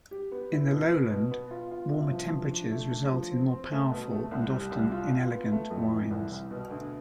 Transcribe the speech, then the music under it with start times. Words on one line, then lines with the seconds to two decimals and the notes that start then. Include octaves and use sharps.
In the lowland, warmer temperatures result in more powerful and often inelegant wines.
0.11 G4
0.32 B3
0.52 E4
0.71 B2
0.91 B3
1.12 B2
1.31 B3
1.51 F4
1.71 F4
1.92 C3
2.12 F3
2.31 F3
2.51 D4
2.71 A3
2.91 D4
3.12 F3
3.31 C4
3.51 C4
3.71 A3
3.91 B2
4.11 A3
4.31 C2
4.51 G3
4.71 C2
4.92 F4
5.11 F4
5.31 B3
5.52 A3
5.71 F2
5.91 E3
6.11 C2
6.32 C2
6.51 B2
6.71 D2